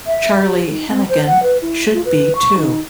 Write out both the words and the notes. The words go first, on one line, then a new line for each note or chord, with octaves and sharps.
Charlie Hennigan should be, too.
E5
G4
D#4
C4
C5
F#5
B4
E4
F4
B4
C#6
D#4